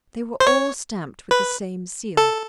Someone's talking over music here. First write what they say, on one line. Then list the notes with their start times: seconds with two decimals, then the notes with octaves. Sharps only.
They were all stamped with the same seal.
0.40 C5
0.47 C#5
1.31 B4
2.17 A4